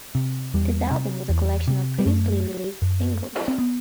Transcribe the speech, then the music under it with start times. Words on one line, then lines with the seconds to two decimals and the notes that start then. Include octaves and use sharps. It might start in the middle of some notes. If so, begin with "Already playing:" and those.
This album was a collection of previously released singles.
0.15 C3
0.54 E2 G3
0.91 C3
1.29 E2
1.68 C3
1.99 G3
2.06 F#2 A3
2.82 F#2
3.48 C4
3.58 B3